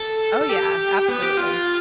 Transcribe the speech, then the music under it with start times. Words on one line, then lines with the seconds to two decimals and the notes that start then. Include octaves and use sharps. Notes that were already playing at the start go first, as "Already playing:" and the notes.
Oh, yeah, absolutely.
Already playing: A4
0.41 A4
0.49 G4
1.08 B3
1.22 G4
1.37 F4